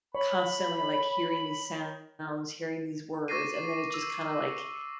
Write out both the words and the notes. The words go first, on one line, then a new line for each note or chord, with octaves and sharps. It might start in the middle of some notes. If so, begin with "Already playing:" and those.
constantly, like, hearing these sounds, hearing these words, and then it just kinda, like,
C#5 B5
C#6 D6 A6 A#6 C7 D#7
D6 E6